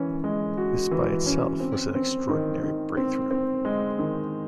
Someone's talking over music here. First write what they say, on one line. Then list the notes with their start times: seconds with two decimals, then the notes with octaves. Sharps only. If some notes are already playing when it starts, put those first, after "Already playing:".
This by itself was an extraordinary breakthrough.
Already playing: E3 C#4
0.24 G#3
0.57 F#4
0.91 E3
1.26 C#4
1.60 C4
1.95 C4
2.29 D#3
2.63 D#3
2.97 C4
3.31 C4
3.65 G#3
3.99 D#3